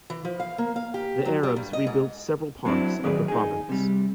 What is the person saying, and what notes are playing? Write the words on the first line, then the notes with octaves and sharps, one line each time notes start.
The Arabs rebuilt several parts of the province.
E3
F3
F5
A#3
F5
G4
F#3
G3
G2
D#5
G#2
F#3 C4 D4 E4
F#2 D#3 G#4 B4 D5
D#4 G#4
C3 G3